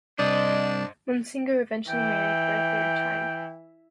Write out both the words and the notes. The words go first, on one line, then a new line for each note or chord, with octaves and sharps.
Munsinger eventually married for a third time.
C2 D4 C5 D5 D#5
E3 G5